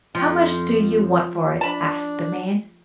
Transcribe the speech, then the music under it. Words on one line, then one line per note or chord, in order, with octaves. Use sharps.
"How much do you want for it?" asked the man.
F2 F3
D4 A5 B5